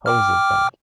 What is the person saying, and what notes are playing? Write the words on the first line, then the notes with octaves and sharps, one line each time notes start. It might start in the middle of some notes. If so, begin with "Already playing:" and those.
How is it bad?
G5 D6 F6